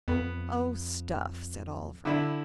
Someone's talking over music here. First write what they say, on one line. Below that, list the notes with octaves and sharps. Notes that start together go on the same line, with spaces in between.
"Oh, stuff!" said Oliver.
F2 B3
D3 E4